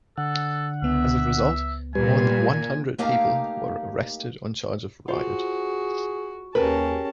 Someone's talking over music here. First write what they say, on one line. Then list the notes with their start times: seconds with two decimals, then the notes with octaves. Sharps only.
As a result, more than one hundred people were arrested on charge of riot.
0.18 D3 A4 F#5
0.82 C#2 B3 E5
1.95 A#2 G3 G4 B4 G#5
2.98 A3 A#3 D#4 G4 F5 A#5
5.08 F4 F#4 G#4 C5
6.55 D#2 C#4 G4 G#4 A#4 B4 A5